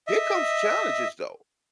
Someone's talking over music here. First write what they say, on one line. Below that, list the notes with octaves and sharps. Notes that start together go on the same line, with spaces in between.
here comes challenges, though.
D#5 E5